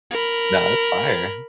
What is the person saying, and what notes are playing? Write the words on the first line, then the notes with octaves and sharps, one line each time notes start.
No, that's fire.
A#4 B5